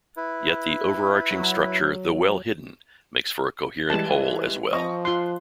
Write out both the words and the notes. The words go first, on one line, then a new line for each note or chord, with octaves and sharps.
Yet the overarching structure, though well hidden, makes for a coherent whole as well.
E4 B4
F#3
E3 G3 G#3 A5
F3 C4 D#5 C#6
F4 C6 F#6